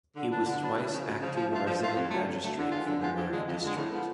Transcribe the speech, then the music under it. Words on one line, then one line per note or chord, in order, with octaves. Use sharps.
He was twice acting resident magistrate for the Murray district.
D3
F#3 B3 D4
D3
F#3 B3 D4
D2
C#3 F3
D2
C#3 F3
F3
A3 F4
F3
A3 F4
F2
D3 F#3 A3
F2
D3 F#3 A3
D3
F3 G#3 B3 F4
D3
F3 G#3 B3 F4
F2
D3 G#3
F2
D3 G#3
A2
F3 B3